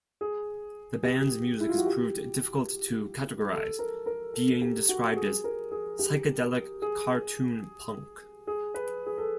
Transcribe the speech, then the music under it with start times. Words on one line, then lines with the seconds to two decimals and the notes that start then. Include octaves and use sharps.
The band's music has proved difficult to categorize, being described as "psychedelic cartoon punk".
0.21 G#4
1.03 G4
1.60 E4
1.69 F4
1.78 F#4
1.86 G4
3.52 A4
3.79 A#4
4.06 A#4
4.34 A4
4.62 G4
4.89 F#4
5.16 G#4
5.44 A#4
5.72 G#4
5.99 G4
6.82 G#4
8.47 G#4
8.74 B4
9.06 G#4
9.18 A4